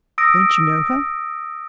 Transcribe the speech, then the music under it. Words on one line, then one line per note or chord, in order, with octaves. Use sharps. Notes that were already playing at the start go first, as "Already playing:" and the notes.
"Don't you know her?"
D#6 E6 A#6 D7